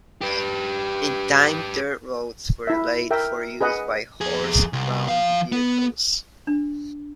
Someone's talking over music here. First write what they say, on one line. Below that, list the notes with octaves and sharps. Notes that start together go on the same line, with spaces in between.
In time, dirt roads were laid, for use by horse-drawn vehicles.
G4 B4
E4 E5
A#4 E5 G5
G#4 B4 D#5 F#5
F2 G#4
C2
F3 F5
B3
D4